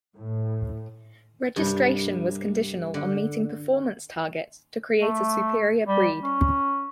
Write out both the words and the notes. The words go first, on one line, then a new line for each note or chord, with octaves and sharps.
Registration was conditional on meeting performance targets to create a superior breed.
A2
C2 G2
D3
A3
G3
C#4